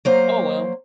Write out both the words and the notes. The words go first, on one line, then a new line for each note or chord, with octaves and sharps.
Oh, well,
F#3 A#3 C5